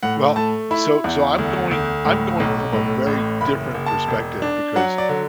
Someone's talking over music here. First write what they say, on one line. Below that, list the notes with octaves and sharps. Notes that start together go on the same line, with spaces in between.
Well, so so I'm going I'm going from a very different perspective because,
A2 F#5
A3 A5
E4 B5
E2
D2
D2
A2
B1
A2
A1
F#1 B5
F#1
A5
E1
D4
F#3 F#5
D5
D3